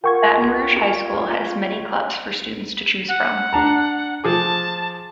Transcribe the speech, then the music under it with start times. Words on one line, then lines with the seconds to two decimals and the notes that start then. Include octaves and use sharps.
Baton Rouge High School has many clubs for students to choose from.
0.04 F4 A#4 F#5 G5 C#6 G#6
3.09 F#5
3.53 D4 A5 A#5
4.24 F3 G#4 A5 D6